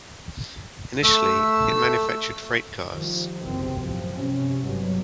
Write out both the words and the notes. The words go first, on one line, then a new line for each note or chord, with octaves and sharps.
Initially it manufactured freight cars.
A3 E6
D#3 F3 G3
F#1 B1 E2 C3 D#3 C4
F#2 A2 F3
G2 C3 C#4
G#1 G2 B2 F#3